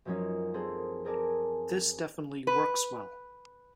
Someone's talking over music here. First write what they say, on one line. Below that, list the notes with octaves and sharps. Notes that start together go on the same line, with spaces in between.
This definitely works well.
F#2 F3 F#3 A#3 C#4 D#4
A#3 C4 G#4 A4 C5
C4 G#4 A#4 D5 G#5 A5
B4